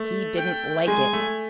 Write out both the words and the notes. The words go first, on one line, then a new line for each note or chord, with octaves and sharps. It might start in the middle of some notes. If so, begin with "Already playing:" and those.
He didn't LIKE it!
Already playing: A3
G5
G#3 G#5
A3